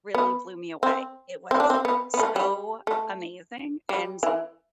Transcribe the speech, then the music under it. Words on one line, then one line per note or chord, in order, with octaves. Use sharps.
really blew me away. It was so amazing, and
B3
C4
C4
D4
C4
B3
B3
A3
G3
A3
G3
E3